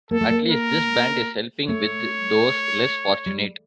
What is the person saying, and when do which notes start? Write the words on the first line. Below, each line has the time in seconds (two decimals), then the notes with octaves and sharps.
At least this band is helping with those less fortunate.
0.11 A#3 A4
0.21 A3
0.31 A#3
0.50 A#4
1.68 A3 C#5
3.26 G3